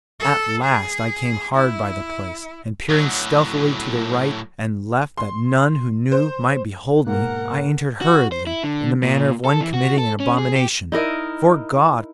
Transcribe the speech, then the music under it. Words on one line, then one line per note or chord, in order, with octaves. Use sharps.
At last I came hard by the place, and peering stealthily to the right and left that none who knew might behold me, I entered hurriedly, in the manner of one committing an abomination. 'Fore God!
A4
G#4
E4
A2 F#3
C6
C5
G#2 B2 A#3 A#4 F#5
F#4
C5
E4
D3
A#2
A4
E3
F#4
A4
C#4
G#4
G4
D#4 E4 A#4 D#5